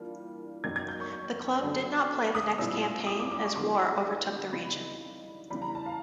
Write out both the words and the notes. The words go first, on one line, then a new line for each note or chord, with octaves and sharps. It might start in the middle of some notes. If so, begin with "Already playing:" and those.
The club did not play the next campaign as war overtook the region.
Already playing: E3 G3 A#3 D4 F4
F#2 D#3 F#3 A#3 C#4 G#6
G#6
G6
C#6
D3 F#3 B3 D4
D#6
A#2 G3 C4 E4 E6
D#6
D6
D6
C#6
D3 F#3 B3 E4 C6
C#3 E3 G3 C4 D#4 B5
C#3 E3 G3 B5
A#5
A5
F5